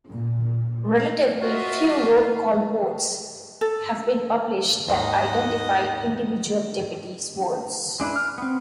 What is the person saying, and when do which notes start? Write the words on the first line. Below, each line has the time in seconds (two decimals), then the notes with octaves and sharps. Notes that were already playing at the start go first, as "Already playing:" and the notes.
Relatively few roll call votes have been published that identify individual deputies' votes.
0.11 A#2
1.42 F4 F#4 A#4 D#5 E5
3.61 A4
4.89 D#2 G#2 D#3 D#5 F#5
8.00 G#3 D4 E4 B4
8.16 F6
8.38 B3 C4